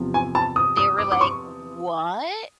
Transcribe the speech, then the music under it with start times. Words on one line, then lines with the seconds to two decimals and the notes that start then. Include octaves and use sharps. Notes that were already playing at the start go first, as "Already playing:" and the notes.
They were like, "What?"
Already playing: E2 C3 F3
0.14 G#5
0.35 A5
0.56 D#6
0.77 D#6
0.99 D6
1.12 D6
1.21 C#6